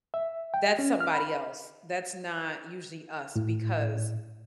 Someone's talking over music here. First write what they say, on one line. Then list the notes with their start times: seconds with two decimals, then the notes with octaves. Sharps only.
that's somebody else. That's not usually us because
0.14 E5
0.54 G5
0.79 C#4
1.00 F6
1.14 B5
3.36 A2